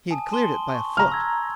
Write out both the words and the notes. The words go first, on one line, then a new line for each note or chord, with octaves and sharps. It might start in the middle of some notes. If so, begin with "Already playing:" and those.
He had cleared it by a foot.
G#5 A5 D#6
A5 C6 G7
C#6
A#5 F6
E6 G#6